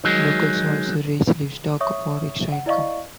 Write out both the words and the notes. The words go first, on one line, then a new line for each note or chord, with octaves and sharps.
Locals also raise livestock for extra income.
D#3 F#3 G#3
C#5 E5 C#6 D#6
F#5
E4 D5 D#5 F5 C#6